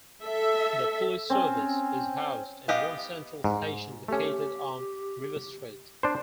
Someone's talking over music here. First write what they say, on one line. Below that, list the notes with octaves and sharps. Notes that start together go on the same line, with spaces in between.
The police service is housed in one central station located on River Street.
A4 E5
C4 C#4
B3 G4 D#5 F5
G#2
A3 C#4 G4
D4 C5